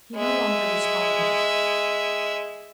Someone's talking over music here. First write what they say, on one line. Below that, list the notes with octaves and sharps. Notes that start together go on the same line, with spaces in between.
He no longer responded.
G#3 E5